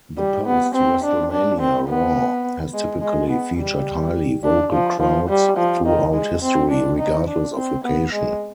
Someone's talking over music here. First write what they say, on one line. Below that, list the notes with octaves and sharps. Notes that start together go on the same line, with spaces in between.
The post-WrestleMania "Raw" has typically featured highly vocal crowds throughout history, regardless of location.
G3
B3
C4
D4
D4
C4
B3
G#3
G#3
B3
G3
D4
F3
F3
G3
F3
D#3
G#3
C4
D4
D#4
D4
C4
B3
G#3